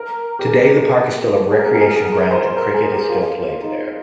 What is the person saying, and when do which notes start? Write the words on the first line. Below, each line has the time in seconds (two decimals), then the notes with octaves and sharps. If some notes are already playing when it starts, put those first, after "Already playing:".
Today the park is still a recreation ground and cricket is still played there.
Already playing: A#4
0.39 G4
0.47 G#4
0.99 G4
1.52 G#4
1.59 A#4
1.67 G#4
1.74 A#4
1.81 G#4
1.88 A#4
1.96 G#4
2.04 A#4
2.31 C5
2.57 A#4
2.74 G#4
2.92 G4
3.10 F4
3.62 D#4